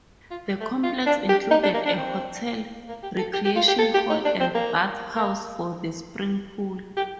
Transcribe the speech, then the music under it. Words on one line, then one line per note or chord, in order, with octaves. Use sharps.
The complex included a hotel, recreation hall and bathhouse for the spring pool.
F4
A3
F4
D4
G4
D#4
D4
A#3
D4
C4
A#3
G4
A4
G4
G4
F4
G4
A4
G4
D#4
D4
C4
A#3
A#3
G4